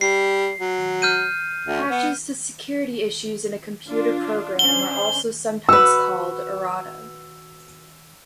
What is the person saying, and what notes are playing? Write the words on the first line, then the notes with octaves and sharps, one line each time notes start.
Patches to security issues in a computer program are also sometimes called errata.
G3 C7
F#3
F6 G6 D#7
D2
B3
D4 F4
C#4 D4 C5 G7
F#4 B4 E6